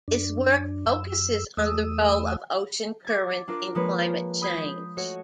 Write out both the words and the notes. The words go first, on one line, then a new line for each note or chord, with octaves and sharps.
His work focuses on the role of ocean currents in climate change.
F#2 D4
F#2 E6
E2 A3 D#6 E6
D6 G#6 A6
D4 F4 A#4 D5
F3 G#3 A#3 B4 C#5
B5 D#6 G6 G#6 B6 C7
A3 F#4 C#5 D#5